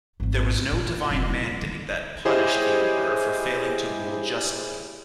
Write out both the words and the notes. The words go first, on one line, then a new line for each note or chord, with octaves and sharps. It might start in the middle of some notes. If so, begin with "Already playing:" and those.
There was no divine mandate that punished the emperor for failing to rule justly.
G#1 G#2
A#2
F1
D#4 E4
D#3
E4 G4 G#4 C5 C#5 D#5